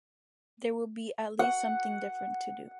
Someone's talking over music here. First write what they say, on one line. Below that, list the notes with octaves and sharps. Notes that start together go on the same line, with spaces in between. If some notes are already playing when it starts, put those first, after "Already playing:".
There will be at least something different to do.
F#5